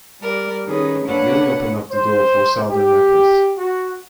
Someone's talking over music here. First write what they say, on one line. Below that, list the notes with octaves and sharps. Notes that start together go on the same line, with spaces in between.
It really opened up the door for Southern rappers.
G3 A#4 D5
D#3 C#4 D#4 G#4 B4
A#3 D4 A4 B4 C#5 F#5
C5
G4
F#4